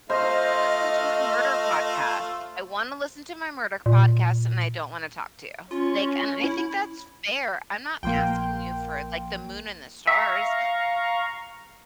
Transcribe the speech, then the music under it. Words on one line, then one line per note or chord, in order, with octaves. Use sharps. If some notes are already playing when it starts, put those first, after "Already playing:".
I wanna listen to my murder podcast. I wanna listen to my murder podcast, and I don't wanna talk to you. Like, and I think that's fair, I'm not asking you for, like, the Moon and the stars.
A3 F4 C5 D#5 F6
A#2
C#4 F4
E4
A#1 F3 A#3 G5 C6
E5 F5 A#5 C#6